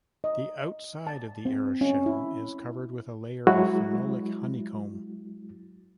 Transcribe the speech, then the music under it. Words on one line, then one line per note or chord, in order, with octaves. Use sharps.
The outside of the aeroshell is covered with a layer of phenolic honeycomb.
D#5
A5
C4
C#4
E4
F#3 G#3 E4 F#4